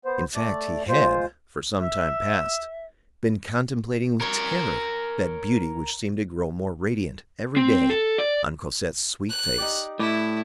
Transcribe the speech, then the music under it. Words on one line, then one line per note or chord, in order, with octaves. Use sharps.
In fact, he had, for some time past, been contemplating with terror that beauty which seemed to grow more radiant every day on Cosette's sweet face.
B3 C5
A3 D5
G#3 F4 C5
E5 E6
A#4 C#5
C4
A4
D5
F#6
D#4 G4 D5
A2 D4 E4 A4